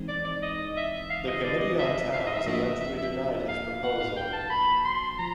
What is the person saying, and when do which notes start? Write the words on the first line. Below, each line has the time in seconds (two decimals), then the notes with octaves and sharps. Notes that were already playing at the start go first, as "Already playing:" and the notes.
The Committee on Towns eventually denied his proposal.
Already playing: E3 G#3 C4 D#4
0.08 D5
0.25 D5
0.42 D#5
0.77 E5
1.10 F5
1.27 D#5
1.44 D5
1.61 D#5
1.79 E5
2.13 F5
2.19 E5
2.26 D#5
2.34 E5
2.46 A2 F3 A#3 D4 F#4 D#5
2.63 E5
2.80 E5
2.97 E5
3.48 F5
3.83 F#5
4.00 F5
4.17 G5
4.33 A5
4.50 B5
4.85 C6
5.18 F3 A#5